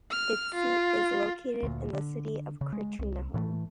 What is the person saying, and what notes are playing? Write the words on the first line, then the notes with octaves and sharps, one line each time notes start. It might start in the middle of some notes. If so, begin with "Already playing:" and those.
Its seat is located in the city of Katrineholm.
F6
F4
D2 A#2
D3
C#3
G#3
C2
A2 E3 F3 A3